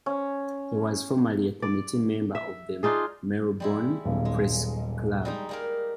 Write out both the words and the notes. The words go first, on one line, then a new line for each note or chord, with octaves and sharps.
He was formerly a committee member of the Melbourne Press Club.
C#4
D5
E5
D4 D#4 F4 G#4
G3 G#3 E4
D#1 B1
G#3
G3 G#3 D#4
G3 A#3 A#4